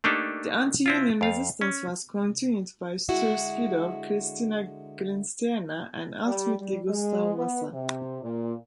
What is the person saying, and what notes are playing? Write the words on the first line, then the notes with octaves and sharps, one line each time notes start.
The anti-union resistance was continued by Sture's widow Christina Gyllenstierna and ultimately Gustav Vasa.
A3 A#3 D4 D#4 G4 A4
C4 E4 F4
F2 F5
C#4
D3 G#3 E4 F#4
G3
G3
G#3
B3
C3
A#2